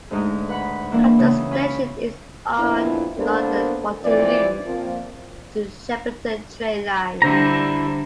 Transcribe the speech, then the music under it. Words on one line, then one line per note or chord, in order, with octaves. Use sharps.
Hampton Station is on the London Waterloo to Shepperton train line.
D2 G#2 D#4
B4 F#5 B5
E3 A#3 D4 E4
C#3 B3
C#4 F4 B5
F2 A#2 B3 D4 E4
A#3 B3 D4 A4 A#4 C5
E3 F3 C4 D5
F3 A#3 C4
D3 G3 E4 C5 A#5